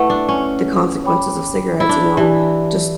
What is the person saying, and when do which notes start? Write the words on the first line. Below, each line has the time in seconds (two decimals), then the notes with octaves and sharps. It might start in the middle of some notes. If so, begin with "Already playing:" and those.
the consequences of cigarettes, you know, just
Already playing: A3 E4 B4 F#5 A5
0.10 D4
0.29 C#4
1.04 C#5 G5 B5 D6
1.80 E4
1.89 D4
2.17 E3 G4 D5 A5